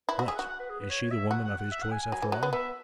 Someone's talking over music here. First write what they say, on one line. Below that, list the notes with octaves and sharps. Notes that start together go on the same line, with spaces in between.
'What--is she the woman of his choice after all?'
E4 B4
F#4 E5
G#4
F#4 F#5
F#5
B4
G#4
B4
C#5
C#5
E5
F#4 F#5
F#5
F#5
E5
F#5
G#5
G#5
F#3 G#5
E3
F#3 F#5
B3
B3 E5